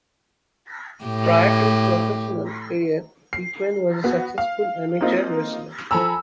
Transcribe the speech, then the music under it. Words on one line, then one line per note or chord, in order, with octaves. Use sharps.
Prior to his professional career Pittman was a successful amateur wrestler.
A2 G4
C7
B3 F#4
F5
A#3 C4 D#4 F4
F3 A4 G#5 A#5 B5 E6